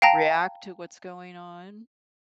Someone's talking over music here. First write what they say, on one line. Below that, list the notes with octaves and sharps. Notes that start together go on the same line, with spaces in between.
react to what's going on?
F5 G5 A5 A#5 A#6